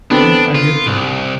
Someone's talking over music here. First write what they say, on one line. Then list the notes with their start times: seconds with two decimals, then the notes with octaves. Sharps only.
I I get that.
0.11 D3 B3 C4 D4
0.55 F4
0.87 C2